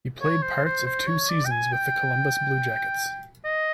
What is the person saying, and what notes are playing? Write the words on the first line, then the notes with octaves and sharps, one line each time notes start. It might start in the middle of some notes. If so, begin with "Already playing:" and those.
He played parts of two seasons with the Columbus Blue Jackets.
C#5
C5
C5
C5
C#5
D5
G5
G#5
G5
D#5